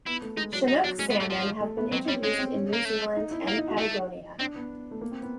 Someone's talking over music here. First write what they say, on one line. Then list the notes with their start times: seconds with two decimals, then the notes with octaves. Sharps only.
Chinook salmon have been introduced in New Zealand and Patagonia.
0.06 B3 E4
0.22 A3
0.37 G#3 D#4
0.53 F#3 D4
0.68 F#3 D#4
0.84 F#3 D4
0.99 G#3 C#4
1.10 B3
1.14 G#3
1.20 A3
1.30 F3
1.61 A3
1.77 B3
1.92 F#3 C4
2.08 G3 C#4
2.23 G#3 C#4
2.38 C4
2.55 C#4
2.73 A#3
2.85 A3
3.16 D#4
3.31 E4
3.46 A#3 E4
3.57 D#4
3.68 F#4
3.78 A3
4.39 C4 D4
4.56 B3
4.91 A3
5.01 A#3
5.11 C4
5.23 B3